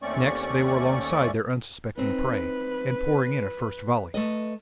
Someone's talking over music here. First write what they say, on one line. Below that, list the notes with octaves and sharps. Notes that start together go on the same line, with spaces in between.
Next they were alongside their unsuspecting prey, and pouring in a first volley.
D#2 A3 C4 C#4 D5 C#6
C4 D#4 B4
A3 B4 D#5